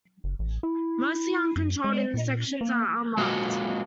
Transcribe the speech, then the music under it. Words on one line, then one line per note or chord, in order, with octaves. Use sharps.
Mostly, uncontrolled intersections are unmarked.
F#1
A1
E4
F#2
G#3
A#2
A#3
G#3 A#3 F4 F#4